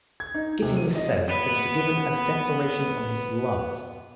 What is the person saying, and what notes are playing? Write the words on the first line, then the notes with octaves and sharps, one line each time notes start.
Gittings says it was given as a declaration of his love.
G#6
D#4
C3
D#7
D#5
B3 B4